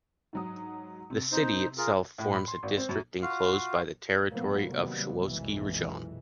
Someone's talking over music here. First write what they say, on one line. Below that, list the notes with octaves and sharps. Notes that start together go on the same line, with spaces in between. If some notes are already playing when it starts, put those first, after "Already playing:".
The city itself forms a district enclosed by the territory of Sowetski Rajon.
G#2 F#3 D#6
C3
D#4 C5
F4 G#4 A#4
A2
B5
C6
G#1
C4
F#2
F4 F#4 F5
A2 F3 F#3 A#3 B3
C3 D#3 F#3 G3 A#3 B3
B1 F2 A#2 E3 G#3